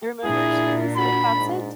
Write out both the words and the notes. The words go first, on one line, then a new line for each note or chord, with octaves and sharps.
I remember she was like, "That's it.
A#2 D4 E4 G#4
F#4 B5
G#2